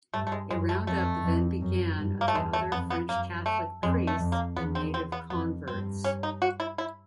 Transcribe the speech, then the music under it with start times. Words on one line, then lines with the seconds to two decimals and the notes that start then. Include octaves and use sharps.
A roundup then began of the other French Catholic priests and native converts.
0.14 G2 A3
0.27 A3
0.32 G#3
0.50 F#2 G#3
0.69 A3
0.87 F2 A3
1.24 F2
1.61 F#2
1.98 G2
2.21 A#3
2.28 A3
2.35 E2 G#3
2.53 A3
2.72 F2 B3
2.90 B3
3.09 F#2 A#3
3.46 A3
3.83 F2 G#3
4.07 A3
4.19 F2
4.32 A#3
4.56 E2 B3
4.75 C4
4.94 C4
5.12 B3
5.30 F2 B3
5.67 G2 C4
6.04 C#4
6.23 D#4
6.42 F#4
6.60 E4
6.78 E4